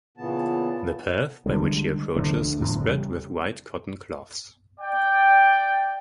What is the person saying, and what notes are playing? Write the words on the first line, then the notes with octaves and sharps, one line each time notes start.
The path by which he approaches is spread with white cotton cloths.
A#2 C#3 E3 B3 A5
D3 E3 G3 G#3
D2 D3 A3
E2 A2 D3 F3
C#3 G3
D5 G5